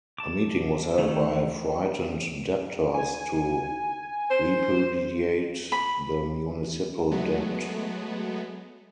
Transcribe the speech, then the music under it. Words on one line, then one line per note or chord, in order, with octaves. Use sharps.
A meeting was held by frightened debtors to repudiate the municipal debt.
A5 D6
D#3 E3 A3
G#5
C5
B5
F#3 G#3 A3 B3